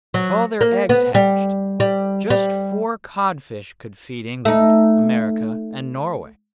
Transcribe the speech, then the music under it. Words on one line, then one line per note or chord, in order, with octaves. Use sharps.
"If all their eggs hatched, just four codfish could feed England, America, and Norway."
F#3
A#3
B3
G3
G3
G3
A3 D#4